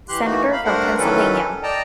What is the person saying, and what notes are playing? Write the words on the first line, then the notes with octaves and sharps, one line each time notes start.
Senator from Pennsylvania.
E3 G4 C6 F#6
E3 A3 A#3 D#4 F#4
F5 B5
G2 A3 D4 A#4 C5 F#5
D#3 E3 F#3 C#4 A4 B4
D5 D#5 G5 A5 A#5